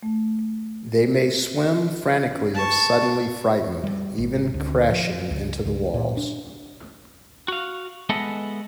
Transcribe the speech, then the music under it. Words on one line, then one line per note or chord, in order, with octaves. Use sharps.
They may swim frantically if suddenly frightened, even crashing into the walls.
A3
A5 C#6
G3
G#1
D2
F3
C#2
C#2
A#2
D4
F#4 F5
G#3 B3 A4 D#5 E5 F#5